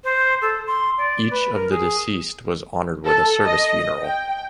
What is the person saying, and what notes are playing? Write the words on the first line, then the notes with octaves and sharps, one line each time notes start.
Each of the deceased was honoured with a Service funeral.
C5
A4
C6
D5
B4
A#4
G#4
A4
D#5
G5